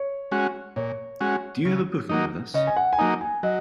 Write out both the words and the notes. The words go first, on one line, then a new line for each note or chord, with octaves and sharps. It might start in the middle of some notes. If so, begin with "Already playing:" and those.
Do you have a booking with us?
Already playing: C#5
G#3 C#4 F#4
A#2 C#5
G#3 C#4 F#4
C#3
F#3 A#3 D#4
C#3 D#5
G#5
F#5
G#5
F#3 A#3 D#4 A#5
G#5
F#3 D#5